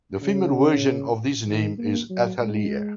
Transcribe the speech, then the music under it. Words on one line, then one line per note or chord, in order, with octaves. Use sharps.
The female version of this name is Athaliah.
C#3
D#3
A#3
F#3
G#3